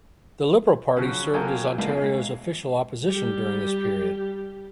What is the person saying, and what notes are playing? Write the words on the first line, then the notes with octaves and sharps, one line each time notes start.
The Liberal Party served as Ontario's official opposition during this period.
C#3 F3 F#3 C#4 F#5
F#3 A#3 B3 A4 A#4 C#5 G5 G#5
B2 E3 G#3 A#3 B3 D4
G3 G4